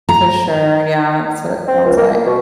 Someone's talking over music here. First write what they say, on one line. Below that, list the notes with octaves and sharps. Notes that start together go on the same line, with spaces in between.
For sure, yeah, so, that sounds, like
A#5
C4
C#2
A#3
A#3
B2